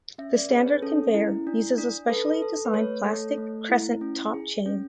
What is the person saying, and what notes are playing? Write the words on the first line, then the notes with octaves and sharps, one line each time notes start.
The standard conveyor uses a specially designed plastic crescent top chain.
C#4 E5
D5
G#4 B4
C#5
C#4 A4
E4
D4
D4
A4 B4
A4
B4
A3 C#5
A4
A3
E4
C#4
G#4
C#4